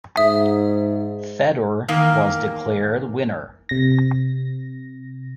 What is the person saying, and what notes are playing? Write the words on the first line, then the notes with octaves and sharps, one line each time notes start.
Fedor was declared winner.
G#2 E5 D#6
E2 D#3 A#3 A#4 F5
C3 A#6